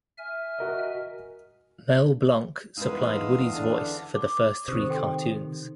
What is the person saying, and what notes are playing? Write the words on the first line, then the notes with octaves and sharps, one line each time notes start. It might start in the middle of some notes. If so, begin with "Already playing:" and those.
Mel Blanc supplied Woody's voice for the first three cartoons.
E5 G#5 F6
F#4 A#4 D#5
E2 G#3 D#4 B4 F5 D#6 E6
D3 D4
D6
C3 D#3 G4 C5 D#6
A4 G5 C6